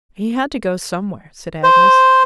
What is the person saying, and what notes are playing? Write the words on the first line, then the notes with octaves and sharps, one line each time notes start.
"He had to go somewhere," said Agnes.
C5